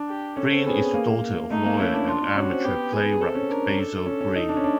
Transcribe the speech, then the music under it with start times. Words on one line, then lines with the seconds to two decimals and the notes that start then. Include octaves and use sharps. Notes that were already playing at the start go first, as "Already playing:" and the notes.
Greene is the daughter of lawyer and amateur playwright Basil Greene.
Already playing: D4
0.09 G4
0.37 C#4 A4
0.52 C4
0.66 B3 G#4
0.93 A#3
1.50 A3 D#4
1.66 A#3
1.79 C#4 E4
1.94 D4
2.08 D4 F4
2.22 D4
2.36 C#4 F#4
2.50 C4
2.64 B3 G4
2.93 G#4
3.21 C4 A4
3.35 C#4
3.50 D4 A#4
3.78 A4
4.06 C#4
4.21 C#4
4.35 D#4
4.49 D4
4.57 C#4
4.64 D4